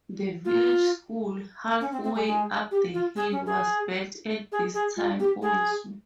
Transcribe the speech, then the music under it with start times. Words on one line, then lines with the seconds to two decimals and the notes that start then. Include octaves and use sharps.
The village school, halfway up the hill, was built at this time also.
0.45 F4
1.80 C#4
1.92 C4
2.03 C4
2.14 G#3
2.26 G#3
2.71 G4
2.94 F4
3.16 G#4
3.31 C#4
3.46 G#4
4.52 G#4
4.74 G#4
4.96 F4
5.20 G4
5.42 G#4